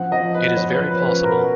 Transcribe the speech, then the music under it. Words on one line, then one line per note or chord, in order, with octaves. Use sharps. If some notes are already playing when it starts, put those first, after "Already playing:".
It is very possible.
Already playing: F3 C#4 F#5
F3 D#5
B3 B4
F3 C#5
B4
F3
B4
C#4
B4
B2 A#4